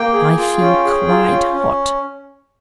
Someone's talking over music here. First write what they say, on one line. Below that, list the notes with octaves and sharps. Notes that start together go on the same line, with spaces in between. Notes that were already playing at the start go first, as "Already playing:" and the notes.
I feel quite hot.
Already playing: A#3 G5
G#4
F4
C#4
G#4
F4
C#4
C#4